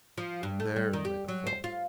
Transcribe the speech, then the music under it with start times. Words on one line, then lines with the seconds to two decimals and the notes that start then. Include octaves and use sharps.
There lay the fault.
0.18 F3
0.43 G2
0.60 A3
0.76 G3
0.93 D#3
1.05 G4
1.28 F#3
1.47 C5
1.64 F4